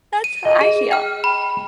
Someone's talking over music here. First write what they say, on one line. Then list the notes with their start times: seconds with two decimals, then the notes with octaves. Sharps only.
That's how I feel.
0.24 D#7
0.45 D#5
0.61 G#4
0.91 G5 F6
1.24 B5